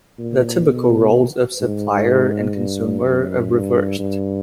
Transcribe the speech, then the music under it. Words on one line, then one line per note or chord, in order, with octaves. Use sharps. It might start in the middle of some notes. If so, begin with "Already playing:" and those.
The typical roles of supplier and consumer are reversed.
A#2
B2
G#2
G2
F#2
G2
G2